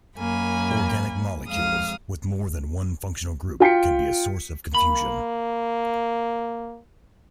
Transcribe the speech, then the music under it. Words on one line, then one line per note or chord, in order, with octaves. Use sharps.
Organic molecules with more than one functional group can be a source of confusion.
F#2 A#3 G#5 B5
F2 G#3 F5 D#6 F6
F4 G5 B6 C#7
A#3 B5